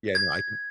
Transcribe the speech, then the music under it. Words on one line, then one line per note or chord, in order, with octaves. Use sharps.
Yeah, no, I can
G#6